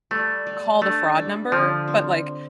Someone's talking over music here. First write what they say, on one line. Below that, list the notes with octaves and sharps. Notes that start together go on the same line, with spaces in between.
call the fraud number, but like,
G3 A3
G3
A3 D4
G3
D3 F3
C4